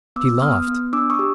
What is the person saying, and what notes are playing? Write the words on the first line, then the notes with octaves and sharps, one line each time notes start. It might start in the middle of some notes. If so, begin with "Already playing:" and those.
She laughed.
B3 D6 E6
B3 D#6 F6
B3
D4 D6 E6
C#6 D#6
G4